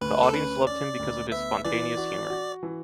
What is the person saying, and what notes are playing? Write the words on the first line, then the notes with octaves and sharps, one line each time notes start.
The audience loved him because of his spontaneous humor.
D2 B4
A4
C#4 B4
C#4 D5
D2
B3 E5
E3 D5
F#4
F#4
E3